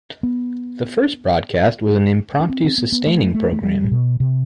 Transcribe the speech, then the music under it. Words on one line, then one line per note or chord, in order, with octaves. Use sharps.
The first broadcast was an impromptu sustaining program.
B3
D4
C4
C4
B3
B3
A3
A3
A3
G3
A2
B2
C3